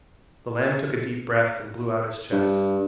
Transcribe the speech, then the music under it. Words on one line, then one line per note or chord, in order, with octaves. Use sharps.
The lamb took a deep breath and blew out his chest.
G2